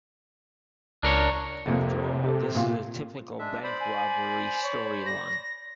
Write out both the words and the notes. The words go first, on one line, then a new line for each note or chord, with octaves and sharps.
After all this is a typical bank robbery storyline.
C#2 D4 A#4 C#5
F2 C3 A#3
G4 A4
A#2 F4
G#3 D4 E5
C5 D5 B5
G#5
C#5
A#6